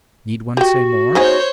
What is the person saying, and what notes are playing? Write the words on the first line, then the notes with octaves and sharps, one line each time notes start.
Need one say more?
F#4 G4 G5
B3 D#4 G#4 C5 C#5 G6